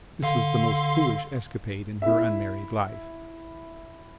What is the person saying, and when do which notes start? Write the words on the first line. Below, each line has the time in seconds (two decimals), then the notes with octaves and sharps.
This was the most foolish escapade in her unmarried life.
0.23 D3 F5 C6
2.02 E4 E5